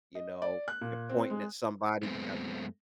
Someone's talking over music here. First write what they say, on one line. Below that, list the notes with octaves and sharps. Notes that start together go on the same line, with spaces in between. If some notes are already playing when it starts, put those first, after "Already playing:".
you know, "You're pointing at somebody, you got"
D#5
D5
F#6
A#2
C4
G#3
F#2 G#3 A3 B3 C4